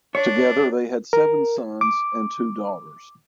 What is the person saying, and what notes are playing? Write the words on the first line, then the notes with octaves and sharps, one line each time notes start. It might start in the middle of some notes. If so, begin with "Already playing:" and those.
Together they had seven sons and two daughters.
D4 C#5
A#4
D6